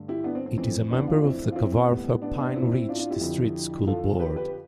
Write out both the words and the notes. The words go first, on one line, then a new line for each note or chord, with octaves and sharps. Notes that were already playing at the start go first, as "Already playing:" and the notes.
It is a member of the Kawartha Pine Ridge District School Board.
Already playing: G2 D3 A3
E4 G4
B3 D4
C4
C4
F2 E3 A3 C4
B3 D4
D4 F4
C4 E4
F4
C4 E4
C4
A2 G3 B3
B3 D4
B3 D4
C4 E4
D4
C4 E4
D4 F4
E4
D4 F4
E4 G4
F2 D3 F3
F4 A4
G4 B4
G4 B4